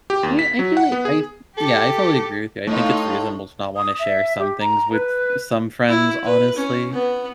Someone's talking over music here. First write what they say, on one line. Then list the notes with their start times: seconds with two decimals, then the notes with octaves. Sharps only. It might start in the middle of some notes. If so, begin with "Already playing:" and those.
I mean, I feel li I Yeah, I fully agree with you, I think it's reasonable to not wanna share some things with some friends, honestly,
0.10 G4
0.23 D#2
0.39 B6
0.59 F#3
0.77 F#5
0.92 B3
1.05 G#4
1.58 G4 A4
2.67 A2 A3 D#4 F4
3.77 D#6
3.99 E5
4.39 G4
4.60 A#5
4.93 B4
5.89 E4
6.25 B4
6.56 C#4
6.93 B3